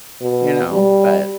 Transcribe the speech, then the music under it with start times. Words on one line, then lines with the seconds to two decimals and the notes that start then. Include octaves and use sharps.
You know, but
0.22 B2
0.72 G3